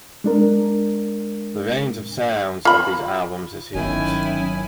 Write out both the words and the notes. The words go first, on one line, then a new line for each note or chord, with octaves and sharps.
The range of sounds of these albums is huge.
G#3 D4 A#4
F4 B5
G1 D#3 F#3 C#4 E4 G#5